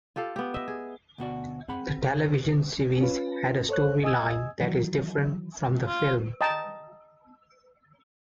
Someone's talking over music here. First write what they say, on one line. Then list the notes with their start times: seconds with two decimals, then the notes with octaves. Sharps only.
The television series had a storyline that is different from the film.
0.16 F4 G4 A4 F5
0.36 B3 G4
0.54 D#5 E5
0.68 G#4
1.18 D2 B2 F#4 D5
1.68 C4 G#4 F#5 B5
2.05 C#3 G#4
3.01 C#4 F4 B4
3.69 A4 C5 C#5 F#6
4.04 D#5 G#5 D#6 E6 G#6
4.58 D#3 E3 F#3
5.87 F4
6.41 D#5 G5 A5 A#5